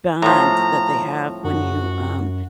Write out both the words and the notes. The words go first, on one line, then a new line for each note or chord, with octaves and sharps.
bond that they have when you um,
A2 F3 A#5
F#2 F#4